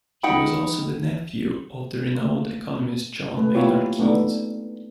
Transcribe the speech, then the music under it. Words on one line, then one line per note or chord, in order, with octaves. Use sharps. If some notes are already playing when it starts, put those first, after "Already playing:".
He was also the nephew of the renowned economist, John Maynard Keynes.
D#4 F#5 G5 B5
A3 A#3
A3 B4
A#3 B3 E4 F4 G4 C#5
A3 B3 D4 D#4 A4